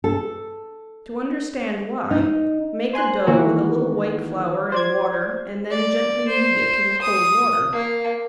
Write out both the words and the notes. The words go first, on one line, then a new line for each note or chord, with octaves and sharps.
To understand why, make a dough with a little white flour and water and then gently knead it in cold water.
A4
D#4
C5 G#5 C6 F#6
D#3 E3 A#3 F#4 A#4
C5 D5 G#6
D5
C5
D#6
A#3